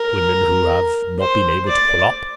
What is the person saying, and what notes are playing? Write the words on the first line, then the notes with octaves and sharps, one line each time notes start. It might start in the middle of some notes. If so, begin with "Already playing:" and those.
"The women who have--not been able to pull up?"
Already playing: A#4
C5
D5